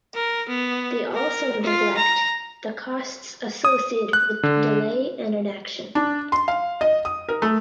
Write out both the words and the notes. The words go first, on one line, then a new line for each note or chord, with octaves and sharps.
They also neglect the costs associated with delay and inaction.
A#4
B3
A#4
F4
A#5
D#6
F#6
D3
D4
C6
F5
D#5
D#6
A#4
A3